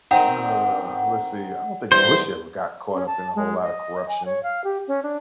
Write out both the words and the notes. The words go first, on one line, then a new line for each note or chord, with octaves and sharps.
Uh, let's see, I don't think Bush ever got caught up in a whole lotta corruption.
D#3 C4 D#4 F#5 G5
E2 G2 C5
C#4
A5
G#3
D#5
G#5
C#5
F5
G4
C#4
D4